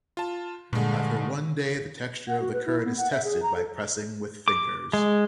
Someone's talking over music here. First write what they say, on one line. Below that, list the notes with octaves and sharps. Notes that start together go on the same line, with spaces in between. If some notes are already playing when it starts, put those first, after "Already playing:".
After one day the texture of the curd is tested by pressing with fingers.
F4 A5
G2 A#2 D3 G#3
F#5
F#4
B4
E4
B3
F#5
E5
G#4
A#5
A4
D6
G#3